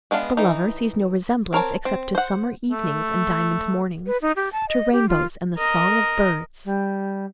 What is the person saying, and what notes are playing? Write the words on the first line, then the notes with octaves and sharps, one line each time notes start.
The lover sees no resemblance except to summer evenings and diamond mornings, to rainbows and the song of birds.
G#3 B3 D4 F5
E3 D#4
C4 A#4 C#5 A5
C4
C5 F#5
A3
B4
D#4
G4
A5
D#5
G4
F4
A#4 D#5
G3